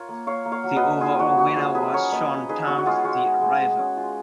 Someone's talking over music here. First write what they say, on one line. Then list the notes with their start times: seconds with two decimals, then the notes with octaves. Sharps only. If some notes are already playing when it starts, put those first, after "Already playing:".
The overall winner was Shaun Tan's "The Arrival".
Already playing: F4 A#4 C#5
0.09 A#3
0.27 A#3 C#5 F5
0.46 A#3
0.52 C#5 F5
0.64 F#3
0.76 B4 D#5
0.82 F#3
1.01 D#4 F4 G#4
1.19 F3 F#4
1.38 F3 F#4
1.56 F3 F4 G#4
1.75 F#3 G#4 B4
1.94 C#4 A#4 C#5
2.12 A#3 B4 D#5
2.30 C#4
2.49 D#4 G#4 B4
2.67 B3 F#4
2.78 F#4
2.86 G#3 F4 G#4
3.04 G#3 F#4
3.24 G#3
3.42 G#3
3.60 G#3
3.79 C#4
3.97 F4